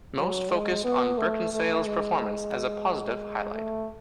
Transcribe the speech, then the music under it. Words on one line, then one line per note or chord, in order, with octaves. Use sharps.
Most focused on Beckinsale's performance as a positive highlight.
F#3
G#3
B3
A3
A3
G#3
A3